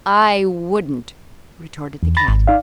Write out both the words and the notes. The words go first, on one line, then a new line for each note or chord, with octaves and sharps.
"I wouldn't!" retorted the cat.
E2
B5 A6 A#6
G#1
D#4 D5 F5